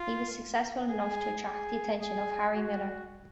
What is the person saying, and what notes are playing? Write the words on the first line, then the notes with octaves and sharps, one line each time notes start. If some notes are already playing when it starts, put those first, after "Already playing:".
He was successful enough to attract the attention of Harry Miller.
Already playing: F4
G#4
G#4
G#4
F#4